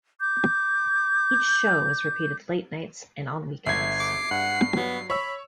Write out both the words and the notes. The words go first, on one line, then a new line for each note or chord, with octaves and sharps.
Each show is repeated late nights and on weekends.
D6 G6
G1 E5 G#6 C7
D6
G2 F#5
F#3 B3
C#5 B5 C#6 E6